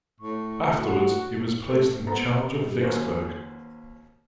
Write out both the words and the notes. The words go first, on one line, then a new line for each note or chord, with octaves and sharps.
Afterwards he was placed in charge of Vicksburg.
A2 C#6
F#4
A3
B3 A4 C5 A#5
G3
D#2 A#3 C#4 F#4 B4 C5